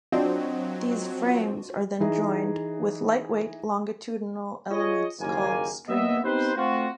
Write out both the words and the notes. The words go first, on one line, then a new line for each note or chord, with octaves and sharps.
These frames are then joined with lightweight longitudinal elements called stringers.
F#3 C4 D4 F4 F#4 D5 D#5
E3 D#4 G#4
F4 G#4 C#5 D#5
F#1 D#2 A#3 G#5
A#3 B3 D#5 E5
B3 C4 D#4 G4 B4 C5
A3 C4 F4 F#4